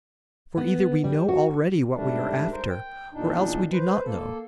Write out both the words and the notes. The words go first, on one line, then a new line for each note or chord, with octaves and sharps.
For either we know already what we are after, or else we do not know.
B3
G3
F#4
G#2 G3 A3 D4
A#4 C5
G5
E2 A#2 D4 D#4
B4 C5
A#3 A4